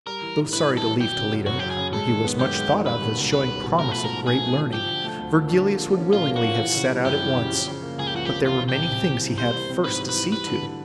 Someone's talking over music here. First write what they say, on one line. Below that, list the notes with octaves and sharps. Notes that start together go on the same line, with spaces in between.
Though sorry to leave Toledo, where he was much thought of as showing promise of great learning, Virgilius would willingly have set out at once, but there were many things he had first to see to.
G3 A#4
E3
A2
A2 B4
G3
A4
E3
F#3 G4
C#3
F#2
F#2 F#4
F#3 G4
G#4
C#3
G#3 A4
D#3
B3
F#2 G4
G#3
D#3
G3 B4
B2
C#2
C#2 B4
G3
B2
A3 A#4
F3 B4
A#4
G#2
G#2 G#4
A3
F3
F3 G4
D3
A3
D2
F3
D3
A#3
F3
C#4
A#2 F4
A#3
F#4
F3
E3
C#3
G3
F#2 G4
E3
C#3
F3
C#3
A#3
C#2 G#4
G4
F3 F#4
C#3 G4
E3 F4
C3
G4
C2
C2
E3
C3
G3 C5
E3
C4
G#2 B4
G3
B4
E3
G3 B4
D3